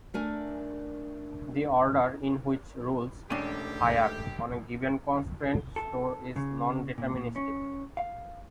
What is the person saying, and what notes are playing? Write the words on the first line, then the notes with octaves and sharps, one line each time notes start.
The order in which rules "fire" on a given constraint store is non-deterministic.
A3 D4 A#4 D5 G#5
E1 G#2 A3 C#4 D4 G4 D#7
A4
C#3
A#2
C#4
F5